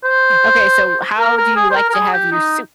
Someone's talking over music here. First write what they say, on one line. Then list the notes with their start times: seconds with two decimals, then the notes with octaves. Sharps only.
Okay, so how do you like to have your soup,
0.04 C5
1.19 A#4
1.37 A#4
1.56 G#4
1.71 C5
1.75 A#4
1.90 A#4
1.94 G#4
2.13 G4
2.32 D#4